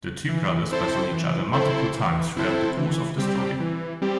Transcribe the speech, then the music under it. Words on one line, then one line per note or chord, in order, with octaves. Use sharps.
The two brothers battle each other multiple times throughout the course of the story.
E3
C4 E4 A4 C5
E3
C4 E4 A4 C5
E3
C4 E4 A4 C5
E3
G3 C4 G4
E3
G3 C4 G4